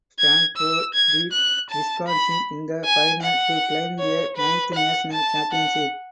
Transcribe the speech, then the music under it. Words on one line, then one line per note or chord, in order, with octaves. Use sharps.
Stanford beat Wisconsin in the final to claim their ninth national championship.
G#6
E6
G#6
F#6
A5
B5
G#5
F#5
C#5
B4
F#5
A5
F#5